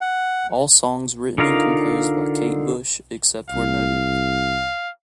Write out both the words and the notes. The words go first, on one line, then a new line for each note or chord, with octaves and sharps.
All songs written and composed by Kate Bush, except where noted.
F#5
D3 D#4 F4 A#4 F5
C2 F5